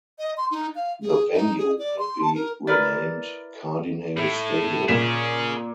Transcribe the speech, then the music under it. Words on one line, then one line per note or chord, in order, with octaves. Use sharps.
The venue will be renamed Cardinale Stadium.
D#5
C6
D#4
F5
G#4
D#4
G#4
D5
C6
A5
A#4
E4 A#4 B4 D5
A2
A#2 C#4 G#4 B6 E7